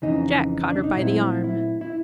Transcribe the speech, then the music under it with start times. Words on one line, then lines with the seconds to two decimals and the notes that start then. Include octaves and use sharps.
Jack caught her by the arm.
0.02 F2 C#3 E3 D#4
0.70 D4
0.84 D#4
0.96 A#2 F#3 A3 C4 E4
1.44 E4
1.81 E4